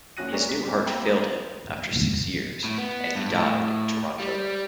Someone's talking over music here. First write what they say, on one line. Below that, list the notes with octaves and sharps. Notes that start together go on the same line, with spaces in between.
His new heart failed him after six years and he died in Toronto.
F#1 C#4 F#4 F#6 A#6 D#7
G#4 A#4 B4 C#5 D5 G#5
B6
G3 C4
A#3 C5 G5 A#5 B5 E6
A1 C4 A#5 D#6 D7
A2
B3
G2
A2
G3